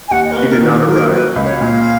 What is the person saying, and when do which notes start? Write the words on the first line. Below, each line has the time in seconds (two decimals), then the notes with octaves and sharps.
She did not arrive.
0.08 G#5
0.11 D#2 F#5
0.24 D#5
0.31 A#4
0.36 A#3 B4
0.49 A#4
0.61 D#3 B4
0.87 F#3 A#4
1.12 F#3 B4
1.36 C#2
1.45 C#5
1.61 A#2 F5